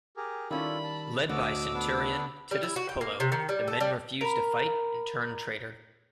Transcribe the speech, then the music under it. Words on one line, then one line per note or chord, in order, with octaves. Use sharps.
Led by centurion Titus Pullo, the men refused to fight, and turned traitor.
G4 G#4 A#4
D#3 G3 C#4 E4 F4 A4 B5
A5
D2 F#4 A4 C5 C#5 D#5 D6 E6
B3 D4
G3
E4
F#4
G5
A#3
C3
D#3
G3
A4
G3
A#4 B5